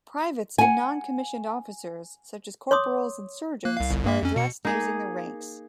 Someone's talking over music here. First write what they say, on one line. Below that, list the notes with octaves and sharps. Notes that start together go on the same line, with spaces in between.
Privates and non-commissioned officers, such as corporals and sergeants, are addressed using their ranks.
F#5 G#5
C#5 C6 D6 D#6
A#3 F#6
C2 F5
G1 C2
G2 A#3 E5
F2 C#4
B2 C#7
A#3 D#4 G#4 D#5